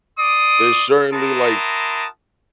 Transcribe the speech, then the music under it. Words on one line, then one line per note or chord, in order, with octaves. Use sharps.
there's certainly, like,
D5 C6 D6 D#6
E4 F#4 A#4 A5 C6 D#6